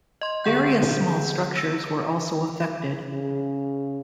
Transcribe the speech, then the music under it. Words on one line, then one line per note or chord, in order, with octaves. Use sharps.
Various small structures were also affected.
D#5 C6
D3 G#4 F#5 G6
E6
C#3